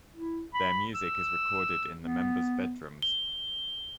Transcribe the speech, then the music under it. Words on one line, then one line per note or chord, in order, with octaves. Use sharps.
Their music is recorded in the members' bedrooms.
E4
B5
E6
B3
G7